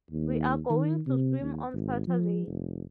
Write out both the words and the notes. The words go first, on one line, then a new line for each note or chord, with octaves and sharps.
We are going to swim on Saturday.
D#2
D#3
C3
D#2
G#1
F3
F1